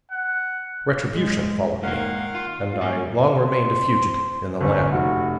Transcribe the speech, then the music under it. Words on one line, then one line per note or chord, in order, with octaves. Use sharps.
Retribution followed me; and I long remained a fugitive in the land.
F#5
G#3
G#2 D#3 A#3 F5 F#5
F4
G3 A#3 C#4
C5
G1 C#4
F1 F#4